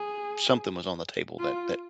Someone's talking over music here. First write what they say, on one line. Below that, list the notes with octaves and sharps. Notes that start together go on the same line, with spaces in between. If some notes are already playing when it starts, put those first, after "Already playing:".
something was on the table that that
Already playing: G#4
F4